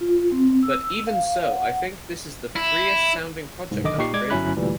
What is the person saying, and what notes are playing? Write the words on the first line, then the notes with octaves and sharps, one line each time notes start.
But even so, I think this is the freest sounding project I've created.
F4
C4
E6
F5
F#5
E4
C2 G#2
B1 D3 D#3 D#5 D6
A#2 D#4 G4 C#6 C7
G#3 D5 D6 G#6
G1 F#3 C#4 E4 B5 F#6
D2 A#2 E3 G3